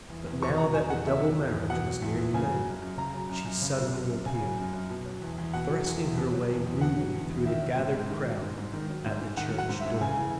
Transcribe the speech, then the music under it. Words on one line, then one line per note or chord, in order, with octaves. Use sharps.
But now that the double marriage was nearly made she suddenly appeared, thrusting her way rudely through the gathered crowd at the church door.
E2
E2
B2 C#6
F#3 A#5
E2 G#5
E2 F#5
B2 E5
F#3
E2
E2
B2 F#5
F#3
E2
E2
C#3 G#5
F#3
F#2
F#2
C#3 A#5
F#3
F#2
F#2
C#3
F#3
F#2
F#2
C#3 G#5
F#3
F#2
F#2
B2
F#3
E2
E2
B2 F#5
F#3
E2
E2
B2
F#3
E2
E2
B2 F#5
F#3
E2
E2
D#3 E5
F#3
G#2
G#2
D#3
F#3
G#2
G#2
D#3
F#3
G#2
G#2
D#3 F#5
F#3
F#5
G#2
E5
G#2
C#3 G#5
E3